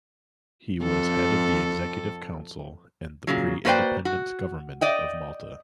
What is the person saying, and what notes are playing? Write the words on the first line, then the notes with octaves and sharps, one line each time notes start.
He was head of the executive council and the pre-independence government of Malta.
F2 A4
A#2 C#3 F#3
A#3 F#4 B4 C5 D5 G5
F#4
D5 D#5 G5